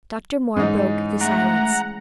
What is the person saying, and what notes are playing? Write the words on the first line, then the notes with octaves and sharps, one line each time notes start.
Dr. Moore broke the silence.
G#2 E3 G#3 C#4 D#4
A3 F#5 A#5